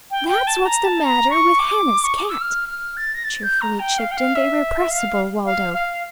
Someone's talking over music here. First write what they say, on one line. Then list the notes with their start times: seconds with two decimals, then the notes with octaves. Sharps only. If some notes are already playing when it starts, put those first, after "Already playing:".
"That's what's the matter with Hannah's cat!" cheerfully chipped in the irrepressible Waldo.
0.11 G5
0.29 G5
0.47 A5
0.65 A#5
0.84 A5
1.03 A#5
1.30 C#6
1.59 D6
2.04 C#6
2.17 D6
2.29 E6
2.41 F6
2.69 F6
2.97 A6
3.15 A#6
3.24 A6
3.43 G6
3.61 A#5
3.80 G5
3.98 F5
4.12 G5
4.17 F5
4.35 E5
4.91 F5
5.46 F5
5.74 F5